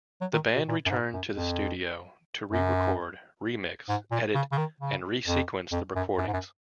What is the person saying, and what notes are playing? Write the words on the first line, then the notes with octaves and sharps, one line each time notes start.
The band returned to the studio to re-record, remix, edit, and re-sequence the recordings.
F#3
D#3
B2
A#2
F#2
G#2
F#2
F2
F#2
G#2
A#2
C#3
C#3
D#3
C#3
F2
F2
F#2
F#2
G#2
F#2